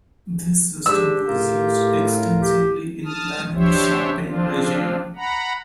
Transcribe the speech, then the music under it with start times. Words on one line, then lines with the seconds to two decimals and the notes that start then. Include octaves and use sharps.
This system was used extensively in planting the Champagne region.
0.86 G#2 D4 G4 E6
1.27 A2 F4 A#4
2.42 G4
3.05 A5 D#6 F6
3.54 D4 G4 C5 C#5 E5
4.21 F3 C4 D4 F4
5.16 F#5 A#5 B5